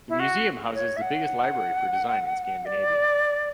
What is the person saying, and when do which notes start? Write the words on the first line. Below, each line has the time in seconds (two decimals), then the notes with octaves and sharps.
The museum houses the biggest library for design in Scandinavia.
0.09 E4
0.19 F#4
0.74 C#5
0.96 E5
1.01 F#5
2.65 D5